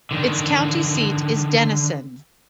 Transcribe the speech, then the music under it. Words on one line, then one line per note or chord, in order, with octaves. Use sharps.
Its county seat is Denison.
D3 D#3